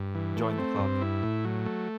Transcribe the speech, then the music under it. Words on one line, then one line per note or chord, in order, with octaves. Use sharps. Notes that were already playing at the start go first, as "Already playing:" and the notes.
Join the Club.
Already playing: G2
E3
A3
C4
G2
E4
A2
F#3
A3